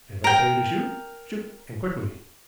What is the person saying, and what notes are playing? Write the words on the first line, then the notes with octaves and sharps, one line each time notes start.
If I tell you to shoot--shoot, and quickly.
A#4 G5